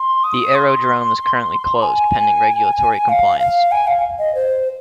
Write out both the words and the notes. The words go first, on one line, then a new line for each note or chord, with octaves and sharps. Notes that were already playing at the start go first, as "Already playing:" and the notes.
The aerodrome is currently closed pending regulatory compliance.
Already playing: C6
D#6
C6
G#5
F5
F5
G#5
F5
D#5
C5